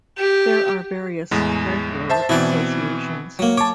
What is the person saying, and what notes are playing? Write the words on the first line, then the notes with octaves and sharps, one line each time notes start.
There are various Treasurer associations.
G4
E2 A2 G#3
C5 E5 A5
B2 E3 C4 E4 D5
F#3 A#3
C#5 A5 D6